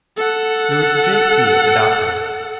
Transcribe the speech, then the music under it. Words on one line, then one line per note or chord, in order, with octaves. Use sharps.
We were to drink tea at the Doctor's.
A4 F#5